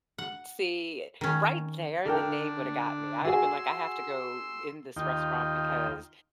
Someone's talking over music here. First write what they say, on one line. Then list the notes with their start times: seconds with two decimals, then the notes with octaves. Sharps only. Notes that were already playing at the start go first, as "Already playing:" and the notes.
See, right there, the name woulda got me. I woulda been like, I have to go in this restaurant because
0.18 F#5
1.21 D#3 C#4
2.05 D3 D4 A4 A#4 G5
3.25 F#4 G#4 G#5 C6 E6
4.96 D#2 D#4 F4 G5